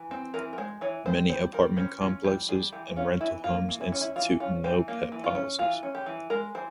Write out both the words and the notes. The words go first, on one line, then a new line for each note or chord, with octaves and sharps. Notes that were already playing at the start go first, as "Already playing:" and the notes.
Many apartment complexes and rental homes institute no pet policies.
Already playing: E3
C4
E3 A#4
A#4
G#3 C5
E3 C#5
C4 C5
G3 C5
G3 A#4
C#4 C5
C#4 F4
G3 G4
G3 G#4
E3 G4
C#4 F4
E3 E4
A#3 F4
E3
E4
C#4
E4
E3 F4
C#4 F4
E3 G4
A#3 F4
E3
F4
C#4
E3 F4
C#4
G4
E3
G#3 A#4
E3 C5